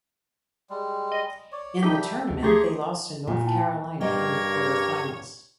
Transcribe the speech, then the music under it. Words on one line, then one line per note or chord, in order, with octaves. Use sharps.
In the tournament they lost to North Carolina in the Quarterfinals.
G3 G#3
D#5
C#5 D5
G3 D#4 G4 A4 E5 G5
D2
A3 G4 G#4 A#5 C6 C#6
A#2
E4 G5 A5
G2 G3 A#3 C#5 D#5 G5